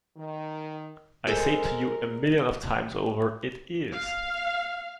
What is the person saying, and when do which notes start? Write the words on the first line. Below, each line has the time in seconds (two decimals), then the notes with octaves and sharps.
I say to you, a million of times over, it is.
0.18 D#3
1.27 G#3 A4 A#4 C5
3.92 F5